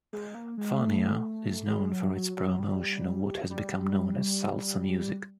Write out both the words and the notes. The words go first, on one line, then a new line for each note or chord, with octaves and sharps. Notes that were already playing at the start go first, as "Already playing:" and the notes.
Fania is known for its promotion of what has become known as Salsa music.
G#3
A#3
G#3
A3
G#3
F#3
F#3
F#3
G3
G3